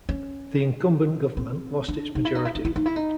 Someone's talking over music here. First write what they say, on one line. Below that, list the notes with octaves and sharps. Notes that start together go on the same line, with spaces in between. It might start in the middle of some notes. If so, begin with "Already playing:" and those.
The incumbent government lost its majority.
C#4
C4
D4
D#4
E4
D#4
E4
D#4
E4
D#4
E4
D#4